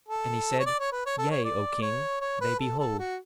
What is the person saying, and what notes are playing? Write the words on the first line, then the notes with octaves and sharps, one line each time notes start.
And he said, Yea, O king, they be whole.
A4
C#5
D5
C#5
B4
C#5
A4
C#5
D5
C#5
C#5
B4
A4
A4
F#4